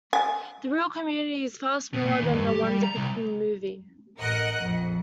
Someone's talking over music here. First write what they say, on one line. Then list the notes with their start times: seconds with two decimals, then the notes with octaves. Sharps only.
The real community is far smaller than the one depicted in the movie.
0.13 G#5
1.94 B2
2.05 A#2
2.22 D#2
2.33 G2
2.47 G4
2.64 G3
2.83 A#5
2.96 C2
4.18 A1 A#4 D#5 F#5 F#6 C#7
4.58 A#1 F2